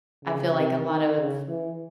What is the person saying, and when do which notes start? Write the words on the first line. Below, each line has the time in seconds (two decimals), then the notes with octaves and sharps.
I feel like, a lot of
0.24 C#3
0.55 C3
0.86 D#3
1.18 C#3
1.48 E3